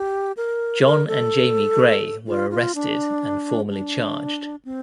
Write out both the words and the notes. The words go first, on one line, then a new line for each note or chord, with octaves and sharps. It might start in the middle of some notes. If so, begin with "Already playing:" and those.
John and Jamie Gray were arrested and formally charged.
Already playing: G4
A#4
A#4
A4
F4
F4
D4
D4
C4